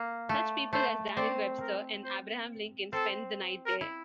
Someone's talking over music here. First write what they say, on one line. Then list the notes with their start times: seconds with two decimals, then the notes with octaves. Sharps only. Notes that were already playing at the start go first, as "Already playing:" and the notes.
Such people as Daniel Webster and Abraham Lincoln spent the night there.
Already playing: A#3
0.29 A3
0.73 A3 C5
1.17 C4 D5
1.61 A#4
2.04 C5
2.93 C4 A4
3.66 A#4
3.81 E4